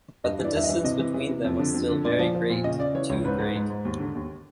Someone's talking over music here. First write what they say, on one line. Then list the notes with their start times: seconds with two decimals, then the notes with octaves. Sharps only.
But the distance between them was still very great — too great.
0.24 G2 D#5
0.39 E3 D5
0.55 G2 E5
0.64 D#5
0.69 E3
0.84 C3 D#5
0.99 E3
1.14 E3
1.29 C3
1.44 F2
1.59 D3
1.74 F2
1.90 D3
2.05 A#2 D5
2.19 F3
2.35 F3
2.50 A#2
2.64 C#3 D#5
2.80 C#3 D5
2.95 E3 C#5
3.09 C#2 C#5
3.24 G#2 B4
3.40 G#2
3.55 G#2
3.70 G#2
3.85 D#2
4.00 D3
4.15 D#2